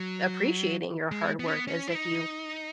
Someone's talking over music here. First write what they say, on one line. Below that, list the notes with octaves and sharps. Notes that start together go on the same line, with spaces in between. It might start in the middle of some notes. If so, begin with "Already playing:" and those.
appreciating your hard work as if you
Already playing: F#3
G#3
B3
C#4
B3
C#4
E4
D#4